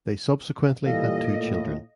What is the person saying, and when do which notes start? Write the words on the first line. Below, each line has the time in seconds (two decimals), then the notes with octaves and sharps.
They subsequently had two children.
0.86 A#2 E3 G3 A4 D#5 F5
1.37 A2